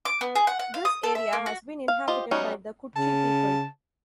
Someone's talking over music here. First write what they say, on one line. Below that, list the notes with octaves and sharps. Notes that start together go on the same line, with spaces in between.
This area has been inhabited by the Kutchi people.
D6
B3
G#4
F#5
F#5
F5
D#6
A4
E5
A#3
F#4
F5
F4 G4 C5 D#5
F#3 G3 B3 C#4 D#4
C#3 A5